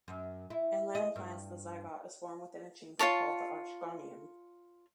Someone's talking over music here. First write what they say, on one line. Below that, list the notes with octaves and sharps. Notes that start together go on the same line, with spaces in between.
In land plants, the zygote is formed within a chamber called the archegonium.
F#2
E4
D#5
G2
F4 F#4 C#5 A5